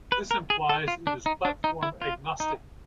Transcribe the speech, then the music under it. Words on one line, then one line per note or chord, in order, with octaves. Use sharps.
This implies it is platform agnostic.
B4
A#4
G#4
A4
F4
D4
D#4
D4
D#4
E4
F4
D#4